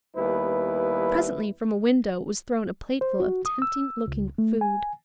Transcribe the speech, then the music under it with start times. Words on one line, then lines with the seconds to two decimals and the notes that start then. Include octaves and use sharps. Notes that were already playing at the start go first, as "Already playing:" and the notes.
Presently from a window was thrown a plateful of tempting-looking food.
0.17 D#2 G3 B3 E4 B4
3.01 C5
3.20 F#4
3.46 D#6
3.62 E6
4.08 C#2
4.38 A3
4.61 G#5